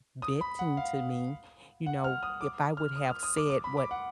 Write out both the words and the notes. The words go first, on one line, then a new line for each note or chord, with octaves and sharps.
venting to me, you know, if I would have said what
D#6
B5
F#5
F5
F#5
F6
D#6
D6
F6
D#6
F6
D#6
D6
D6
B5
D6
F#5